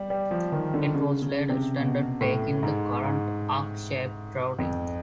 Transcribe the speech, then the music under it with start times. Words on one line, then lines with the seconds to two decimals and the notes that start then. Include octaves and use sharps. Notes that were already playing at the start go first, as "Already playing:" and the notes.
It was later extended, taking the current arc-shaped routing.
Already playing: G3
0.10 G3
0.31 F3
0.52 D#3
0.74 D3
0.94 C#3
1.22 C#3
1.50 C3
1.79 B2
2.21 A2
2.63 G#2
3.04 G#2
4.58 F2